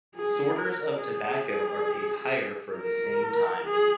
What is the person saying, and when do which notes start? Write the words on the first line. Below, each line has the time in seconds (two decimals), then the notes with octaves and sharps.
Sorters of tobacco are paid higher for the same time.
0.16 G#4
0.59 A#4
1.02 G#4
2.76 A#4
3.64 G#4